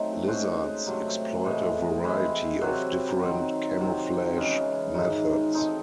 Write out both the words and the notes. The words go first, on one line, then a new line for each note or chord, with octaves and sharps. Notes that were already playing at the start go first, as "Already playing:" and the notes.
Lizards exploit a variety of different camouflage methods.
Already playing: F#3 A3 C4 D#4
G#3 C#4 F#4 C5
C3 F#3 A3 C4
A2 E3 G#3
G#3 C4 E4 C5
C3 F#3 C4 F#4
D#3 F#3 C4
C3 F#3 C4
C#3 E3 G#3 C#4
G#2 D#3 G#3 D#4
G#3 C4 D#4 A4